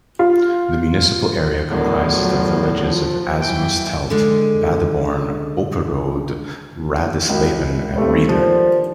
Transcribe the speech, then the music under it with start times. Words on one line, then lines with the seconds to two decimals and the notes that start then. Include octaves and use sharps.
The municipal area comprises the villages of Asmusstedt, Badeborn, Opperode, Radisleben, and Rieder.
0.19 F4
1.69 E2 A2 D3 D#3 F#3
2.06 D#3 F3 F#3
2.80 F3
3.41 E3 F#3 G5
4.10 D3 G#3
7.29 C#2 F#2
7.96 G2 G3 A3 C4
8.29 D#2 D3 F3 C5